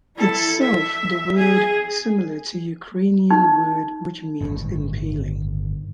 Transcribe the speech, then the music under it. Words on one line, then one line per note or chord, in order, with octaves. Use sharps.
Itself the word similar to Ukrainian word which means "impaling".
E4 A4
E5
G#4
D#4
G1 A2 D#3